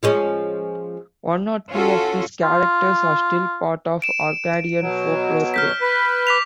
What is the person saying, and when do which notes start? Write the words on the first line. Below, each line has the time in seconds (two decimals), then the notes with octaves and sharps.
One or two of these characters are still part of Orcadian folklore today.
0.03 F3 G#3 C#4
1.71 C#4 F4 F#4 A4
2.43 F4
4.02 D7 E7
4.81 B2 F#3
5.54 F6 G6 B6
5.81 B4
6.27 D6 B6 F7